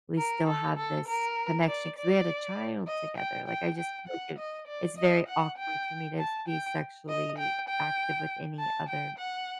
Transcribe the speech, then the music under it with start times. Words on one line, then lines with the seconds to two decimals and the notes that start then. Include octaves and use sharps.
we still have this connection 'cause we had a child together, like, I just feel like it it's very awkward for me to be sexually active with any other
0.18 A#4
0.47 A4
0.77 A4
1.08 A#4
1.67 D5
1.98 D5
2.87 D#5
3.18 G5
3.48 G5
3.78 G5
4.08 F#5
4.38 D#5
4.67 D5
4.98 D#5
5.29 F#5
5.58 G5
6.19 A5
6.48 G5
7.09 D#5
7.38 G5
7.69 G5
8.59 A5
8.89 G5
9.18 F#5